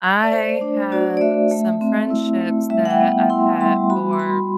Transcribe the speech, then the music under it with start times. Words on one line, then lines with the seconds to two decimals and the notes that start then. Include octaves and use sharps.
I have some friendships that I've had for,
0.23 D5
0.32 A3 C5
0.61 D4
0.92 F#4 D5
1.17 D5
1.21 A3 E5
1.51 A3
1.81 C4
2.10 E4
2.41 A3
2.70 G3 E5
2.85 F#5
2.90 G5
3.01 B3
3.30 E4 C6
3.60 G3 C6
3.90 F#4 B5
4.13 C6
4.20 F#4 B5